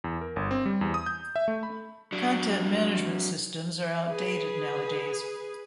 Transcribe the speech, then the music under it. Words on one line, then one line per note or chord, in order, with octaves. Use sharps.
Content Management Systems are outdated now-a-days.
E2
A#4
G1
C4
G3
E2
D#6
G6
E5
A3
B5
F#3 D4
G#4 B4